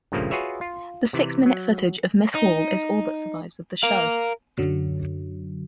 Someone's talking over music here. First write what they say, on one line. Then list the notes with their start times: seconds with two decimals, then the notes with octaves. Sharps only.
The six-minute footage of Miss Hall is all that survives of the show.
0.12 G2 A#2 C#3 F3 A3 A#3
0.31 F4 F#4 G#4 B4 C#5 E5
0.61 F4
1.13 C3 E3
1.46 F#3
2.35 D#4
3.83 A#4 F5
4.58 F#2 D3 F#3